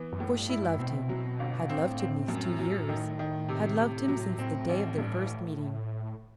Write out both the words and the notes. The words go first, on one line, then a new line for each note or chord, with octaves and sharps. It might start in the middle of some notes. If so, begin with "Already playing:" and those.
For she loved him, had loved him these two years, had loved him since the day of their first meeting.
Already playing: E3 B3
F#2
A2
G2
E4
G2
B2 C4
F#3
G1
B2
A2 C4
C4
F#2
F#3
D#3
D#3
C3
C3
F#3
A2 C4
A1
G2